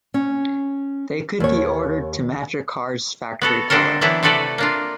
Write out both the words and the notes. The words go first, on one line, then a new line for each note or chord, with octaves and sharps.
They could be ordered to match a car's factory color.
C#4
D#2 C#5
B3 F#4 A4
D3 C4 D4 G4 A4 A#4
E3 F#3 B3 D4 E4 G4
C3 A3 F#4 A4 B4 D5
A#3 D4 F4